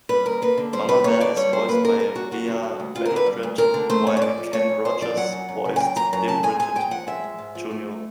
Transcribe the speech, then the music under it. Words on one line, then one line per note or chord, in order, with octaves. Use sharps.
Mama Bear is voiced by Bea Benaderet, while Kent Rogers voiced dim-witted Junior.
G3 B4
D#2 A#4
A#3 B4
D3
G3 C5
D#2 B4
A#3 C#5
D3 D5
G3 C#5
F#2 C5
A#3 B4
D3 A#4
G3 A#4
F#2 F#4
A#3 F#4
D3
G3
D2
D2 F4
A#4
D3
B4
G3
D2
D2 A#4
D3
A3 C5
G#2 C#5
C#5
G#2 D5
F3
A3 C#5
G#2
G#2 C5
F3 D5
F#3 F#5
F#2
F#2
C#3
G#5
F#3 G5
F#2 A#5
F#2 A#5
C#3 A5
G#3 G#5
G#2 G#5
G#2 G5
F3 F#5
G#3 E5
G#2
G#2
F3
A3